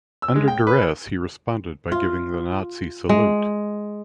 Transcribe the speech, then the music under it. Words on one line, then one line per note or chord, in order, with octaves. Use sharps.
Under duress, he responded by giving the Nazi salute.
E6
G#3
G5
B4
F4
G#3